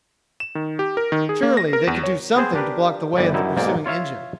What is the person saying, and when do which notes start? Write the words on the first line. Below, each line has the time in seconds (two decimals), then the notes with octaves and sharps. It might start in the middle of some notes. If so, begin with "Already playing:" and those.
Surely they could do something to block the way of the pursuing engine.
0.40 E7
0.55 D#3
0.79 G4
0.97 A#4
1.12 D#3
1.29 G#4
1.43 A#3
1.57 A#6
1.73 A#4
1.87 E2
2.03 C#5
2.35 B3 C4 G#4 C5
2.55 D4 G4 A#4 B4
3.17 G1 E3 G3 B4 D5
3.34 F#2 G3 D#4 E4 E5
3.56 B1 G#2 A#3 D5 G5
3.86 F4 C#5 E5 F5